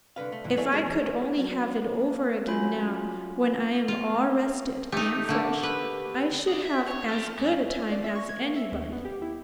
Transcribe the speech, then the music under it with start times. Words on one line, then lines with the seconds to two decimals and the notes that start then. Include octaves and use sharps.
If I could only have it over again now when I am all rested and fresh, I should have as good a time as anybody.
0.16 C2 D3 B4 F5
0.32 A3
0.44 F2 A#2 D3 E3
0.57 E4 G#4 A4 C#5 D5 E5
0.72 G#3 D4 F#4 G#4 A4 C5
0.86 E3
1.39 F#3
1.78 A#3
2.48 F#3 C#4 F4 B5
3.88 F4
4.92 A3 D#4 G4
5.29 D3 A3 A#3
5.63 B4
6.47 G#4 D5
6.65 E5
6.88 C#5
7.08 F4 A4
7.37 F#2
7.70 E5
7.92 D5
8.04 E5
8.15 C#6
8.29 G#6
8.41 A#3
8.56 E5
8.72 D#2
8.92 B3
9.05 G4
9.22 E4